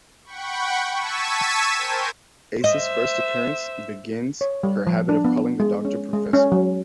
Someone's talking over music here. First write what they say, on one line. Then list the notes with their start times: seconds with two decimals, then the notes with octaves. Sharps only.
Ace's first appearance begins her habit of calling the Doctor "Professor".
0.24 F#5 G5 B5 C#6
0.95 A5 C#6 E6 G#6 B6 D#7
1.76 A#4 C5 G5 G#5
2.64 C5 D#5 E5
4.41 C#5
4.63 G3
4.87 F3
5.09 D4
5.25 B3
5.60 G#3
5.85 C#4
6.13 G#3
6.33 C#4
6.52 F#3